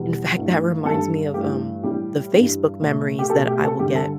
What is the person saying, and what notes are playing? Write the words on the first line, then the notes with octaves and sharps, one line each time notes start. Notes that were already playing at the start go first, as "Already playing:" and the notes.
in fact, that reminds me of, um, the Facebook memories that I will get
Already playing: E2 B2 G3
G2 E3 A3
G2 G3 A4
G2 E3 A3 G4
A2 E3 G3 G4
G2 E3 G3
B2 A3
G4
B2 A3 A4
G4
A4
G2 D3 G3 G4
A4